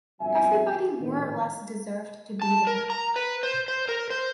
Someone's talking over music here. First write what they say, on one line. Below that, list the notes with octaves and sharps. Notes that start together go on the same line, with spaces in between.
Everybody more or less deserved to be there.
G1 F2 F#3 E5 G#5
A#1 A2 D3 D#3
A5
A#4
A#5
B4
C5
C5
A#4
C5